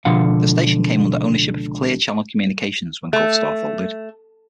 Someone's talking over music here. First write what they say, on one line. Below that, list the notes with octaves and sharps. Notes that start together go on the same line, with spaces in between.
The station came under ownership of Clear Channel Communications when Gulfstar folded.
C#2 B2 D3 F3 F5 F#5
A3